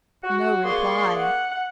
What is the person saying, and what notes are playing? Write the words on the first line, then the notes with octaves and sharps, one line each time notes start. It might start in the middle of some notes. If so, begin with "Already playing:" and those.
No reply.
F#4
A#3 G#4 D5 C6 C#6
F#5